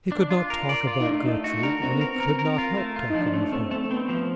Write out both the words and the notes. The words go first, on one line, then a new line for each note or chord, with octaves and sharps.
He could not talk about Gertrude, and he could not help talking of her.
D4
F4
A#4
D5
F4
D#4
A3 D4
A3 D#4
F#4
D4 A#4
C4 F#4
B3
A#4
C4
A#4
A#4
F4
A3
F4
D#4
F3
D4
A3 C#4
A3 C4
A3 C4
B3 C4
F3